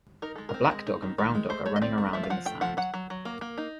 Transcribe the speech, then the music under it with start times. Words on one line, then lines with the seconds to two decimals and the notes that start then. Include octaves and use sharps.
A black dog and brown dog are running around in the sand.
0.22 D#4 A#4
0.35 G#3 A4
0.49 C4 A#4
0.71 G#3
0.87 D#4
1.02 D#3
1.18 D#3
1.35 G#3
1.50 A3 C5
1.66 A3 C#5
1.76 D#5
1.82 C4 D5
1.98 A3
2.13 F3 E5
2.23 F5
2.30 F3 F#5
2.46 A3 G5
2.61 F3 F#5
2.77 F#3 F#5
2.94 F#3
3.10 F#3
3.25 A#3
3.41 A#3
3.58 D#4